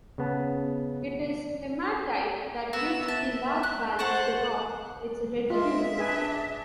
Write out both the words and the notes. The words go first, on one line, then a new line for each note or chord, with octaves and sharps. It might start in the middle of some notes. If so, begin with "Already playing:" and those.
It is hematite that gives the large balanced rock its red hue.
C#3 B3 A5
B3 F#4 E6
E5 A5
F#6
C5 F#5 A5 C#6 F#6
G#3 F4 E5
D4 G#4 B4 G#5